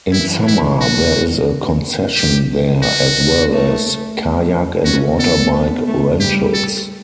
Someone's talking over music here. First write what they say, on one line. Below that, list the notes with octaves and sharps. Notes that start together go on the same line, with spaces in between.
In summer, there is a concession there as well as, kayak-and-water-bike rentals.
E3 E4
E4
F#4
G4
F#4
A3
C#4 F#4
B3 A4
B3
A3
G3 G4
A4